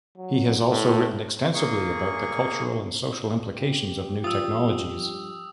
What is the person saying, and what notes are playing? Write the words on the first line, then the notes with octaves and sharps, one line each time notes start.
He has also written extensively about the cultural and social implications of new technologies.
F#3
A2
A#3 G#4 C#6
G4
G2 F3 F4 D#6 E6